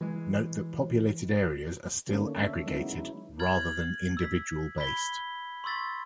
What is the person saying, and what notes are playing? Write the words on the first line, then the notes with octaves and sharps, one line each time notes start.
Note that populated areas are still aggregated rather than individual based.
E3 G#3
D3 D#3 A3 A#3 C#4 D4
D4 E5
F#3 G#3 B3 C#4 D#4 E4
E4
F6 G#6 A6 F#7
E6 B6
B5 G#6 B6 G7
C6 C#6 E6 A6 B6